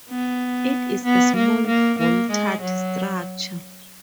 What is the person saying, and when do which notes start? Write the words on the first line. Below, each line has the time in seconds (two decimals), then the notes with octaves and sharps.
It is a small vaulted structure.
0.10 B3
1.04 B3
1.36 A#3
1.67 A#3
1.99 A#3
2.30 G#3
2.61 F#3